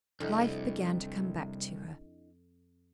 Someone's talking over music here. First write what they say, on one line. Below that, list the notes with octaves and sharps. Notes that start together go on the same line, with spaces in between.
Life began to come back to her.
C2 F2 D4 E4 D#5